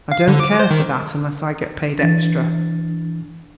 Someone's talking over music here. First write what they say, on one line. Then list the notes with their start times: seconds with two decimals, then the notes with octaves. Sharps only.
I don't care for that, unless I get paid extra.
0.12 F5
0.28 D3
0.40 D6
0.59 C5
0.71 D#3
1.99 E3 D4 A6